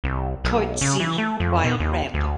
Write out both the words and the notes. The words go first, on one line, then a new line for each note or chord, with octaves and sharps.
Coetzee while Rev.
C2
B1
C#3
E3
A3
F2
B2
D#2
D2